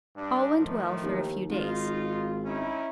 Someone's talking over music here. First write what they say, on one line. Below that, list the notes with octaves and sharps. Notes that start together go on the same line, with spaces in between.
All went well for a few days.
G2 D4
A2 D#3 F3
D#2
G#1 D#4 F4
C#4 D#4 E4